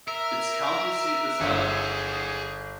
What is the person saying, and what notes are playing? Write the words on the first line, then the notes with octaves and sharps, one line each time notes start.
Its county seat is Alamo.
A#4 E5
G1 G#4 F#5